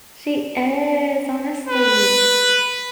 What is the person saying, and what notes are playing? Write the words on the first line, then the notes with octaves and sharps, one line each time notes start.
She is, honestly.
B4